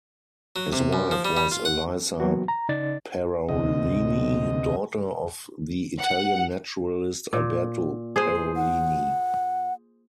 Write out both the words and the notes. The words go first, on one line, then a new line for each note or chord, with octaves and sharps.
His wife was Elisa Parolini, daughter of the Italian naturalist Alberto Parolini.
F#3
C3
F#2
F3
G3
G3
F4
F#5
F#3 A#3 B3 F#4
A#5
C#3 D#4 D5 A6
D2 C3 D#5
F#5
A#2
G#4 C5
F#5